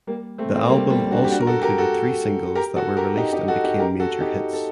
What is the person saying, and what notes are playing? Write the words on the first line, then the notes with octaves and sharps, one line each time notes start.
The album also included three singles that were released and became major hits.
G3 A#3
A3 C4
A3 C4
G3 A#3
G3 A#3
D4 F#4
G4
D4 F#4
A#4
F#4 A4
G4 A#4
F#4 A4
G4 A#4
F#4 A4
G4 A#4
D#4 G4
D#4 G4
F#4 A4
D#4 G4
G4 A#4
F#4 A4
D#4 G4
A4